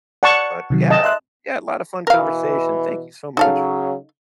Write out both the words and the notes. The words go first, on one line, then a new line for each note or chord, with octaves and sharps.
But yeah, yeah, a lot of fun conversation, thank you so much.
D5 F#5 A5 C#6
C3 D#3 F#3
D#5 A5
E5 C6 F#6
B2 E3 A#4 F5
C#3 F#3 D#4 A4 F5